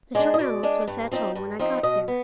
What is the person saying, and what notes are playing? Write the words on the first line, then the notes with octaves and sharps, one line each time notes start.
Mr. Reynolds was at home when I got there.
G#3 D4 D5
D#5
B2 D5
G#3 D4
G2
F3 C4 D#4
G2
F3 C4 D#4
B2 D#5
B3